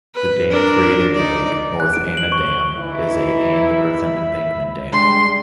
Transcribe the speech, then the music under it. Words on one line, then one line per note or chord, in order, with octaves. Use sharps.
The dam creating the lake, North Anna Dam, is a and earthen embankment dam.
B4
D4 A#4
D#4 D5
F#6
D7
F#7
C#6
G7
E3 D#4 E4
E5 B5
G3 G#3 D4 G4 C6